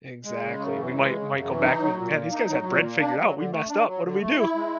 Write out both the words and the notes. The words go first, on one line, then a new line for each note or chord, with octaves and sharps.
Exactly, we might might go back and be, like, man, these guys had bread figured out. We messed up. What do we do?
G#3
C#3
F#2
E3
G#3
C#3
F#2
E3
D#4
F#3
A#2
A#3
D#4
F#3
A#2
A#3
D4
F#3
D3
A3
D4
F#3
D3
A3
E4
G#3